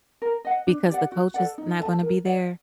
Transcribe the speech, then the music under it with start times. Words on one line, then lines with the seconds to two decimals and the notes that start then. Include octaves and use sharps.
Because the coach is not gonna be there?
0.22 A#4
0.45 D#5 F#5
0.67 D4
0.90 G4 D5 F#5
1.12 F#4
1.34 A4 D5 F#5
1.58 D#4
1.80 A4 D#5 A5
2.02 A#4
2.25 D5 F#5